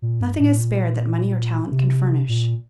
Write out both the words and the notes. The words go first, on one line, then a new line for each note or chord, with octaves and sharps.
Nothing is spared that money or talent can furnish.
A#2
G2
A2
A#2
C3
A#2